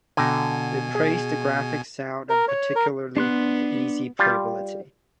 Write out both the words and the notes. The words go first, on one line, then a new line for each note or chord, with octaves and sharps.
They praised the graphics, sound, and particularly the easy playability.
B2 D3 G5 G#5 A#5
G#4
A#4
C#5
A#4
B3 D4 C6 F#6
G3 F4